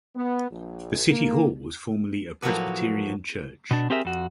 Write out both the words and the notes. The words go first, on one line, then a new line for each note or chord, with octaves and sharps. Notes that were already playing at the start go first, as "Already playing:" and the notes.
The City Hall was formerly a Presbyterian Church.
B3
A#1
A#3
A2 F3 F#3 A#3 F#4 B4
B2 D4
C4 G4 G#4 A#4 E5
F2 F#4